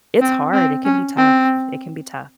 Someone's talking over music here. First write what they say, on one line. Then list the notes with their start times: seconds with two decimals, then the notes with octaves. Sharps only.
It's hard, it can be tough, it can be tough.
0.21 C4
0.53 C4
0.85 C#4
1.17 C4